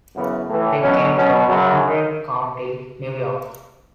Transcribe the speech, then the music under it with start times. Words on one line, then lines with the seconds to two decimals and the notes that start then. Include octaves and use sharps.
They came from Monroe County, New York.
0.14 F#2 C#3 E3 B3
0.48 A2 E3
0.81 B2 F#3 C#4
1.16 B2 F#3 C#4
1.49 F#2 C#3 F#3